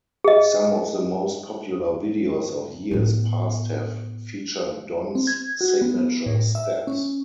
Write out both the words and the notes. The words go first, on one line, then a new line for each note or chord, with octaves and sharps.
Some of the most popular videos of years past have featured Don's signature steps.
G#4 D#5
A2 B3
C4
G#6
F#4
B3
A2
E5
C#4